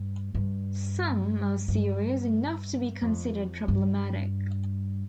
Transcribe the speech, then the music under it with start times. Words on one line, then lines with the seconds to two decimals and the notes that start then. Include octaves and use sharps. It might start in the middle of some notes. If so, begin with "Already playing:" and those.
Some are serious enough to be considered problematic.
Already playing: G2
0.35 G2
1.68 G2
3.02 F2
3.68 G2